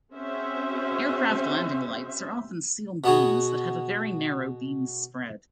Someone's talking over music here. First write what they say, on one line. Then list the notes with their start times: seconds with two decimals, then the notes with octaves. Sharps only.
Aircraft landing lights are often sealed beams that have a very narrow beam spread.
0.14 C4 C#4 F#4 G#4 C5 E5
3.04 B2 B3 F#4 G#4